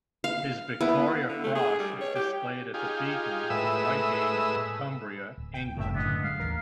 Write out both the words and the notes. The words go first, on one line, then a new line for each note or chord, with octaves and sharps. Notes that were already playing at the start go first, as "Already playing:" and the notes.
His Victoria Cross is displayed at The Beacon, Whitehaven, Cumbria, England.
F5
B3 E4 B4
D3
A3
G#4
G3
C#5
G4
D#4 F4 G4 G#4
A2 G#3 B4 E5 D#6 E6
D1
G5
F#1 C2 A2 E5
F#2 A2 D3 B3 D#5
G#3 F5
A1 D#2 A#4